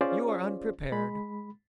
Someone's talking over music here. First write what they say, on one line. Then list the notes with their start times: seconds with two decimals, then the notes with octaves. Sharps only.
You are unprepared.
0.01 C#4 F4 G#4 C5 D5
0.92 G#3 B5